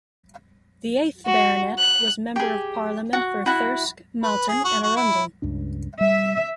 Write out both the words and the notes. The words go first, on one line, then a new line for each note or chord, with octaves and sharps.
The eighth Baronet was Member of Parliament for Thirsk, Malton and Arundel.
F#4
F#6
G4 G#4
F#4
E4 F#4
B4
G#4
F#4
F#4
E4
C#2 G2 D4
G3 E5